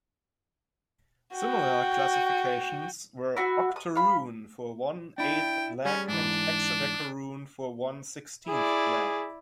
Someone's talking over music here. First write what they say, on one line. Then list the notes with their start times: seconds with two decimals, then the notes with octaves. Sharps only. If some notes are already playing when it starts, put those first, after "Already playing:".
Similar classifications were octoroon for one eighth black and hexadecaroon for one sixteenth black.
1.35 F#4 G5
3.36 E4 F#4
3.76 D#6
3.95 F5 B5
5.18 D4 E4 G5
5.85 G3 C#4 G#4
6.08 G#2 E3 D4
8.49 E4 G#4 D5